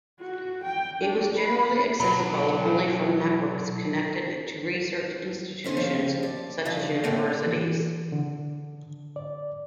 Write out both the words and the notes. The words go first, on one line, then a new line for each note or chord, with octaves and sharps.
It was generally accessible only from networks connected to research institutions such as universities.
F#4
G5
D4
B5
B2 F#3 D4 B5
B3 C#4 C5
D#2 F3
D5
G2 C#3 F3
A2 A#3 C4
E3
D3
D5